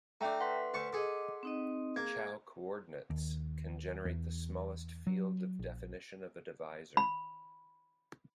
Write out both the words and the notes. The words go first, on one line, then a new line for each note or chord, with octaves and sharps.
Chow coordinates can generate the smallest field of definition of a divisor.
A3 D4 E5 G5 A#5
B4 F#5 C6 B6
D2 A5 C#6
G#4 A4 D#5 D6
C4 D#4 D#5
A#3 G#4 G#6
D#2
E2
F#3
A#1
B5